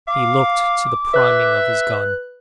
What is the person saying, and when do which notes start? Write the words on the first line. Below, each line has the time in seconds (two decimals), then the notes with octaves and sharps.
He looked to the priming of his gun.
0.08 F5 D6
1.14 B4 E5 F#6